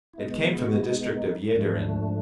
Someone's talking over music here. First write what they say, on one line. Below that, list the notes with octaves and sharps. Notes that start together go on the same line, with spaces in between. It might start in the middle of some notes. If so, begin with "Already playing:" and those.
It came from the district of Jaederen.
E4
B2 G#3 B3 D#4
E4
F#4
E4
D#4
G#2 F3 A3 D4